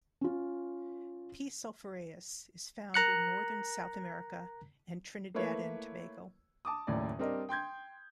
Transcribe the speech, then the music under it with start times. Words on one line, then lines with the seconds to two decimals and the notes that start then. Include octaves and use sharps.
"P. sulphureus" is found in northern South America and Trinidad and Tobago.
0.21 C#4 F4
2.94 A#4 A#5 F#6 C#7
5.34 A3 A#3 E4 B4 C#5
6.65 A5 D6 D#6
6.87 F#1 D#2 A2 D5
7.19 G3 C4 D4 A#4 D#5
7.49 G5 C6 G6 G#6